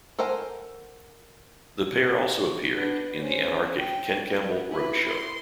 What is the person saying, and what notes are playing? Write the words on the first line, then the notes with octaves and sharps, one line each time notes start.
The pair also appeared in the anarchic Ken Campbell Road Show.
A4 A#4 C5 F#5 G#5
B3 D4
C#4 C5
G5
B4
E4 B4
C6